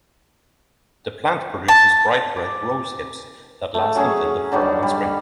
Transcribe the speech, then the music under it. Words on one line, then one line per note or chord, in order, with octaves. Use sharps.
The plant produces bright red rose hips that last until the following spring.
A5
D6
A3
F#3 C#4 G#4 C#5
D3 F#3 G3 D#4
G3